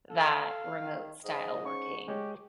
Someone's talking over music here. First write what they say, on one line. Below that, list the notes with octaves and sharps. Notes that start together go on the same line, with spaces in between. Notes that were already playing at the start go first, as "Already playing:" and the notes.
that remote-style working,
A4 F5
D#3
G#2 D#5
C#4 C#6
G#3 G4 C#5